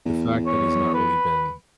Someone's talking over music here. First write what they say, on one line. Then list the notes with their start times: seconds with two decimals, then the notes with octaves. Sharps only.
the fact that he's not really been
0.06 E2
0.47 C#5
0.94 B4